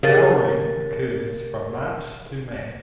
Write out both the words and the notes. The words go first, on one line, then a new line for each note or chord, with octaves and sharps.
Flowering occurs from March to May.
C#3 G4 A#4 A6